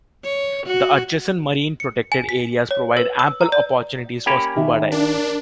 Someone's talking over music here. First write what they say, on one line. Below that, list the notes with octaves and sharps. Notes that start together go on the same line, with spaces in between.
The adjacent marine protected areas provide ample opportunities for scuba diving.
C#5
F#4
C#7
G#5
B6
C#5
B4
E6
A#5
D5
A#3 C#4 G4 B5
D#3 D#4 E5
D4 A#4